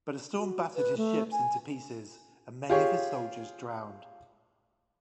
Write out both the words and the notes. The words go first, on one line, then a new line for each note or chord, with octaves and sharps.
But a storm battered his ships into pieces and many of his soldiers drowned.
F#4
B4
A3
G#5
F4 G4 G#4 C#5